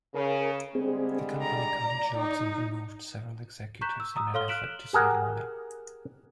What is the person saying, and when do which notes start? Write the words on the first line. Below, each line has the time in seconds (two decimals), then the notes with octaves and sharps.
The company cut jobs and removed several executives in an effort to save money.
0.14 C#3 A#4
0.75 D3 G3 G#3 C4 G#4
1.42 D5 A#5
2.17 D#4
3.81 A#5 C#6 F#6 G6 B6 E7
4.00 E6
4.16 A#5 D#6 E6
4.34 A4 C#5 F5 C6 F6 G7
4.48 F6 F#6 B6 D7 E7 F#7
4.93 G4 G#4 A#4 F#5